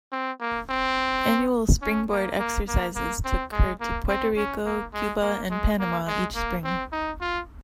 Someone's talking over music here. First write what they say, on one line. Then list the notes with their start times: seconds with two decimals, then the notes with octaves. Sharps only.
Annual "Springboard" exercises took her to Puerto Rico, Cuba, and Panama each spring.
0.12 C4
0.40 A#3
0.69 C4
1.82 C#4
2.10 A#3
2.39 A#3
2.68 A#3
2.96 A#3
3.25 C4
3.52 G#3
3.81 A#3
4.09 C4
4.37 C#4
4.65 A#3
4.94 G#3
5.22 A#3
5.50 G#3
5.79 A#3
6.07 G#3
6.35 A#3
6.64 C4
6.92 D#4
7.21 F4